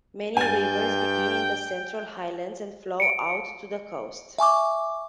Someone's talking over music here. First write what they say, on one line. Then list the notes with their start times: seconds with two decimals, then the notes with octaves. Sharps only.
Many rivers begin in the Central Highlands and flow out to the coast.
0.37 G2 G5 G#5 A6
3.00 C#7 D7
4.38 E5 G#5 C#6 D6